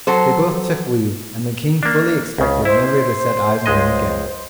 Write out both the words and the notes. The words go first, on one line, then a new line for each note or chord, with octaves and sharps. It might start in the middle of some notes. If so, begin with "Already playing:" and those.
They both took leave, and the King fully expected never to set eyes on them again.
F#3 A4 C5
A#3 D4
C#2 C#3
E4 C5
C#2 G#3 D#5